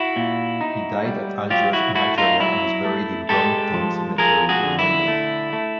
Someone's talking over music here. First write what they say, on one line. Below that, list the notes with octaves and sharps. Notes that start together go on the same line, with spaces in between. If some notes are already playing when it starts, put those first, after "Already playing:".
He died at Algiers in Algeria, and is buried in Brompton Cemetery in London.
Already playing: E4 F#4
A#2
D#4
G3
F#3 F4 G4
E4 F#4
A3 E4 F#4
D#4 F4
F#3 E4
A3
G#3 G4 A4
F3
F3 G#4 A#4
F#4 G#4
D3
E4
A3
A3